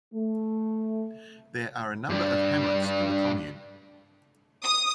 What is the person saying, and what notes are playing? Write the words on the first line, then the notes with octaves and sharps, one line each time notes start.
There are a number of hamlets in the commune.
A3
G2 D4
D#6